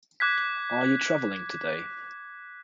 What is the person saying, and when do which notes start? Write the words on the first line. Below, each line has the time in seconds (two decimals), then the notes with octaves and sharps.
Are you travelling today?
0.20 D6 F#6 G#6 B6